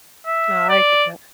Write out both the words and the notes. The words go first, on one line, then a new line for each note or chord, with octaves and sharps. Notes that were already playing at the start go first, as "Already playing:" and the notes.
No, I get that.
E5
D5